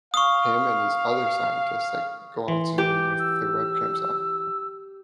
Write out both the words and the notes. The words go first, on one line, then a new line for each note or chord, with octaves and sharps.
him and these other scientists, like, go on Zoom with their webcams on
F5 C#6 D#6
E3 C6
G4 D6
E6